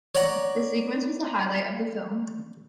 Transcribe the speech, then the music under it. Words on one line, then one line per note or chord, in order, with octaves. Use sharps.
The sequence was the highlight of the film.
C#5 D5 F#5 A#5